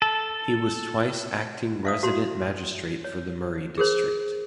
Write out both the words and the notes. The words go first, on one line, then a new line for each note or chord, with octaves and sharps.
He was twice acting resident magistrate for the Murray district.
A4
E5 F5 D#6
F#4 C6
C#5
G#4 A#4 C5